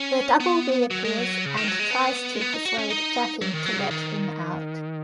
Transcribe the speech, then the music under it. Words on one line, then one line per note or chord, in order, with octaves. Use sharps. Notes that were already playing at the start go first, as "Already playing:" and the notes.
The double reappears and tries to persuade Jackie to let him out.
Already playing: C#4
B3
F#3
G#3
F#3
C#3
D#3
F#3
G#3
B3
G#3
B3
D#4
F#4
C#4
D#4
F#3
D#3
F#3
C#3
D#3